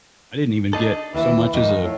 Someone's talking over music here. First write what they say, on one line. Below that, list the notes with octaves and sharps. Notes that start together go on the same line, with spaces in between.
I didn't even get so much as a,
D4 D#4 A4
D#2 E3
F2 D#3
A2